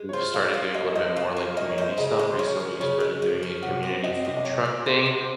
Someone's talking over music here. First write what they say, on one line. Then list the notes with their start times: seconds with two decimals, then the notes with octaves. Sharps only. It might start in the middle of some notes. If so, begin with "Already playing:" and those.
we've started doing a little bit more, like, community stuff, recently, we started doing a community food truck thing,
Already playing: G#3
0.09 C#5
0.13 F4 C5
0.34 F#3 F5
0.54 F4 F5
0.74 A#3 D#5
0.96 C5 D#5
1.16 F#3 F5
1.37 F4
1.57 A#3 D#5
1.69 C#5
1.78 C5 D#5
1.98 C#3 D#5
2.19 G#3
2.30 C5
2.39 F3 C#5
2.60 C#4
2.80 C#3 C#5
3.00 G#3
3.22 F3
3.43 C#4
3.63 C3 F#5
3.83 C4
4.04 F#3 D#5
4.25 C3
4.37 D#5
4.45 C3 C#5
4.65 C4
4.86 F#3 C5
5.06 C3
5.21 C5